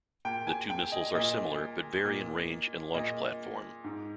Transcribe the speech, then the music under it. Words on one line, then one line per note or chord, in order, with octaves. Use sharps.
The two missiles are similar, but vary in range and launch platform.
A#2 G5
G#5
G5
D#5
A#2 D#5
A#2
A#2 D#5
G#2